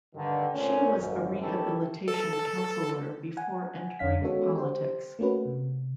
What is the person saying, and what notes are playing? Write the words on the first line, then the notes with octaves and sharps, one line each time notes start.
She was a rehabilitation counsellor before entering politics.
G2 D3 D#3
A#2 A3 C4 C#4
G#1 F#2
D#3 E3 C#4 E4 G4 A4
A4
F#5 G#5
F2 C#4 F5 B6
G#3 B3 C#4 F#4 A4 C#5
G4 C5
A3 A#3 C#4 F#4 B4
C3